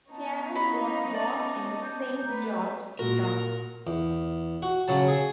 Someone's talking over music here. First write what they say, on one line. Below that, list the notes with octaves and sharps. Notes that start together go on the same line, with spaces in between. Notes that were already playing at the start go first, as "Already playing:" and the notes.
Cannon was born in Saint George, Utah.
B3 C#4 D#4 A5
E4 D#5 B5
D5 A5
G6
A3 B3 B4 A#5
A#2 F#4 A#4
E2
F#4
C#3 F#3 A5
G#4